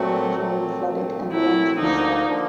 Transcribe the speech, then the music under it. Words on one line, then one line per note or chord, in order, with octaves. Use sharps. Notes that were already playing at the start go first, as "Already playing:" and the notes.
The engine room flooded and the engines stopped.
Already playing: A#2 F#3 A3 C4 F#4
A#2 F#3 A3 C4
A#2 F#3 A3 C4
A#2 F#3 A3 C4 E4
D2 D3 F3 A#3 D#4
D3 F3 A#3